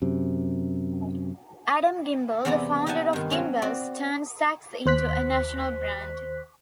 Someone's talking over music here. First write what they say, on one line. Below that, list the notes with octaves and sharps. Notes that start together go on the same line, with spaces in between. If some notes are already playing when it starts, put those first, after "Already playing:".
Adam Gimbel, the founder of Gimbels, turned Saks into a national brand.
F#2 C3
E2 C3 B3 E4 D5 A#5
D#4 G4 D#5 F#5 G#5 A5
G2 D#3
F#3 C4 C#4
C4 F#4 D5
D#2 C5 F#6 B6